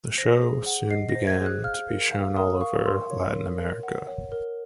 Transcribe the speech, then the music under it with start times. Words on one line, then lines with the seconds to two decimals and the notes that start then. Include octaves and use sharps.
The show soon began to be shown all over Latin America.
0.18 C5 A#6
0.42 G#4
0.66 F#5
0.90 D#5 C7
1.09 A#6
1.15 C5
1.27 G#6
1.40 G#4
1.46 F#6
1.64 F5 F6
1.89 A#4
2.13 F5
2.36 A#4 D#6
2.61 F5 C#6
2.86 A#4 C6
3.10 C#5
3.34 A#4
3.59 A#4
3.83 F#5
4.07 C#5
4.32 A#4